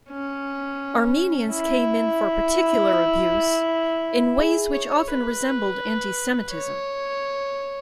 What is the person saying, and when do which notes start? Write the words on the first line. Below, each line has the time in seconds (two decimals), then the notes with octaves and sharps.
Armenians came in for particular abuse in ways which often resembled anti-Semitism.
0.10 C#4
1.52 E4
4.37 G#4
4.73 C#5
5.08 B4
6.51 C#5